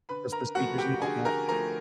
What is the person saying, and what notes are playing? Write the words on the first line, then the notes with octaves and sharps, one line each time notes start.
just the speakers and all that.
D3 B4 B5
A#4 A#5
F3 A3 F#4 F#5
G4 G5
D3 G#4 G#5
A#4 A#5
F3 A3 A#4 A#5